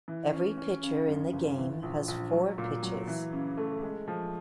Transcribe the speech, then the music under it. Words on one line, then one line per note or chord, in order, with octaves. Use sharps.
Every pitcher in the game has four pitches.
E3
C#4
C#4
C#3
F#2
G1
E3
A#1
A#1
F#3
A#2
F#3
E3
C#3
A3
G#3
F3